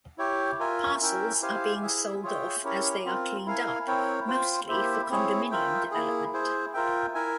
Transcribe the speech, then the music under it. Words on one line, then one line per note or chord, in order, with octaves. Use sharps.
Parcels are being sold off as they are cleaned up, mostly for condominium development.
E4 G4 C#5 G5
F4 A#4 E5 G#5
C#4 E4 A#4 E5 G5
E4 G4 C5 F5 G#5
E4 G#4 E5
F4 G#4 C#5 E5 G5
C#4 E4 G4 A#4 C#5
C4 F4 A#4
E4 A#4 F5 G#5
C4 E4 A#4 C#5 G5
F4 C5 G5
A#3 E4 G4 C5 E5
C4 E4 G#4 C#5
F4 A#4 E5 G5
A#3 E4 G#4
E4 G#4 C5
F4 A#4 E5 G5
E4 A#4 E5 G#5